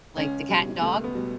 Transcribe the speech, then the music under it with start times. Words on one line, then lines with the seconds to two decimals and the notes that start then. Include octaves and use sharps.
like the cat and dog,
0.16 C#2 C#4
0.49 B2 G3
0.82 C#2 A3
1.04 B3
1.15 B2 G3